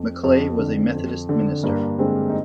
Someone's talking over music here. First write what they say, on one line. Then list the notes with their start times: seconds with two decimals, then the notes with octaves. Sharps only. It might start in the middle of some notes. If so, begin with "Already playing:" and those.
Maclay was a Methodist minister.
Already playing: F2
0.23 F2
0.58 D3
0.94 F2
1.29 D3
1.63 G2 A#3 D4
1.99 D3 G#3 C4
2.30 D#4